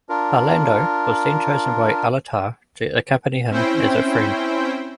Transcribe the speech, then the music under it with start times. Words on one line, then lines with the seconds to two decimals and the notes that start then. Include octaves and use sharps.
Pallando was then chosen by Alatar to accompany him as a friend.
0.09 D4 F4 A#4
3.50 C4 C#4 E4 C5 G5